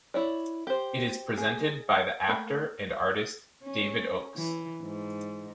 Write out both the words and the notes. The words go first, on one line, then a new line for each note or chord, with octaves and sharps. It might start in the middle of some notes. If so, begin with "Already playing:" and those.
It is presented by the actor and artist David Oakes.
E4 C#5 D5
G4 C5
G#4
A3 A#3 B5
C#4
E3
G#2